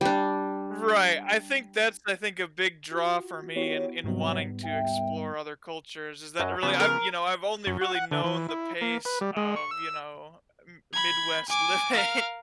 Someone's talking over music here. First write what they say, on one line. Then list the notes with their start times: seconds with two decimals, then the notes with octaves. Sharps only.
Right, I think that's I think a big draw for me in in wanting to explore other cultures is that really I've you know, I've only really known the pace of, you know, M Midwest living
0.01 G3 D4
2.91 F4 F#4
3.56 B3 E4 F#4 G4 C#5
4.04 G#2 C3 F#3 G3 B3
4.64 D#2 E5 G5
6.40 F#2 F#3 D#5
6.63 C#3 F3 B3
6.80 A#4
7.67 F#2
7.81 F#4
7.95 F#5
8.11 D3
8.24 E3
8.49 E4
8.81 A#3
9.05 B4
9.21 G3
9.37 G#3
9.56 C#6
9.71 E6
10.93 B5 G#6
11.48 G#5 D6
11.92 A#4 F5